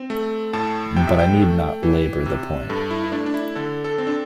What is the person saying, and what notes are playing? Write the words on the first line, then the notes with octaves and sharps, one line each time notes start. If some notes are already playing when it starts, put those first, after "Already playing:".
But I need not labour the point.
Already playing: C4
A3
A2 A5
C3 G5
E5
G5
A3
E3
C3
G2 A4
E4
E4
A3 D4
D4
E4
D3 A4
A4
C4
D4